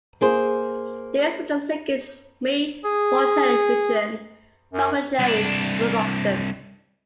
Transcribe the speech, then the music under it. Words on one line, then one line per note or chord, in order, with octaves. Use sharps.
This was the second made-for-television "Tom and Jerry" production.
A#3 G#4 C5
G#4
F#2
C2 D4